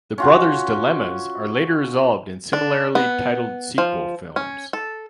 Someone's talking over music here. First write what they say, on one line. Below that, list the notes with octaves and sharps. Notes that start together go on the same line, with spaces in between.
The brothers' dilemmas are later resolved in similarly titled sequel films.
C#4 F4 F#4
D4
B3
F3
C#4
A4